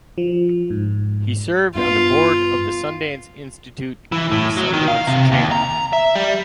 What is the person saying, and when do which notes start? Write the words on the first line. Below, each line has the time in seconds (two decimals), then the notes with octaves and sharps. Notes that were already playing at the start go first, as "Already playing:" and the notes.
He served on the Board of the Sundance Institute and the Sundance Channel.
0.18 F3
0.70 G#2
1.76 G2 B3 F4
4.12 E3
4.31 A2
4.57 F#3
4.73 D#3
4.88 F5
5.07 C3
5.32 D#2
5.52 A#5
5.93 E5
6.15 G3